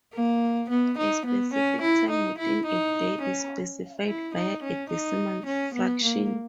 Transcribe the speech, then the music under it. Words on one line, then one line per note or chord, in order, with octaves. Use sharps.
A specific time within a day is specified via a decimal fraction.
A#3
B3
D#4
B3
C#4
E4
D#4
E4
D#4
C#4
E4
D#4
C#4
D#4
C#4
B3
A#3